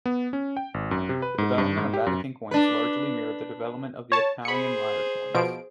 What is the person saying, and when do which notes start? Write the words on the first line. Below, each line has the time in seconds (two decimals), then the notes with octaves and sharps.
The development of Vatican coins largely mirrored the development of the Italian lire coins.
0.06 B3
0.33 C#4
0.57 G5
0.74 G#1
0.91 F#2
1.09 C3
1.22 B4
1.38 G#2
1.58 G2
1.77 G#2
1.93 G4
2.07 F#2
2.51 D4 B4
4.12 C#5 A5
4.45 G#4 C5 B5 C#7
5.34 B2 F3 D7